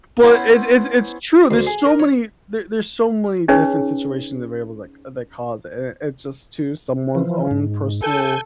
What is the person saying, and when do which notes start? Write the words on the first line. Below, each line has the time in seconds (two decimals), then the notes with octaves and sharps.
But it it it's true, there's so many there there's so many different situations and variables, like, that cause it, and it's just to someone's own personal
0.20 B3 C#4 E4 C5 C#5
1.51 D2
1.66 G#4
1.85 A#4
2.00 C#5
3.48 C#4 D#4 G#4 B4 C#5
7.15 E3 F3
7.51 G#2
8.03 A4 G#5 G6